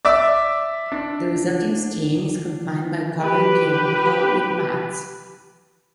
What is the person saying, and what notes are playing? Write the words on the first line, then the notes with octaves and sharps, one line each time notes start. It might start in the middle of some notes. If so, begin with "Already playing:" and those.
The resulting steam is confined by covering the open hull with mats.
D5 E5 D6
D4
G4 B4